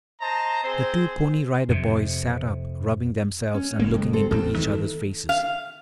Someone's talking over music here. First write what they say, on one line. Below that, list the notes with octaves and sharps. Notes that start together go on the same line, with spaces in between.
The two Pony Rider Boys sat up rubbing themselves and looking into each others' faces.
C5 D#5 A5 A#5
C4 G#4 C5
F2 C3
C#4
F#1 G#3 A#3
F2
C4 A4
A1 E2 C4 A4
D#3 E3 A3
F5